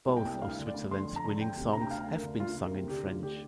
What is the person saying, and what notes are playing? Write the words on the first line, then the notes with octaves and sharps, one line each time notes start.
Both of Switzerland's winning songs have been sung in French.
C2
G5
C2
D2 F5
D3
D5
D2
D3 C6
F2
A#5
D3
D2 G5
C3
D2 A#5
G5
D2 F5
D2
A#4
D3
D2 F4
D2
A#4
C3
D3 G4
D2 F4
D3 G4